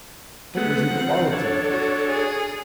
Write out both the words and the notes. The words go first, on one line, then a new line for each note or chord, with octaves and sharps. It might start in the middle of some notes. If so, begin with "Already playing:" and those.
It was equality.
G#3 A3 B3 F#5
F3 C4
D4 A4 C#5
F#4
G#4